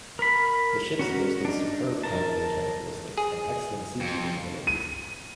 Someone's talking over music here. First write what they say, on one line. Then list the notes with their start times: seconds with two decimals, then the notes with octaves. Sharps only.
The ships boasted superb handling characteristics and excellent sea-keeping abilities.
0.19 A#4 B5
0.99 C#4 F#4 A#4
1.45 D4 D#4
2.03 A#4 A5
3.18 G#4
4.00 F2
4.67 D#7